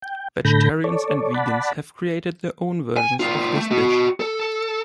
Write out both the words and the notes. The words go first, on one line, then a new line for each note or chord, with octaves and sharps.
Vegetarians and vegans have created their own versions of this dish.
G5
A2 D3 A4 B5 G6 A#6
A4 C#5 D5
D5 F#5 A5 B5
G#5
A2 F4
A3
F#4 D#5
A4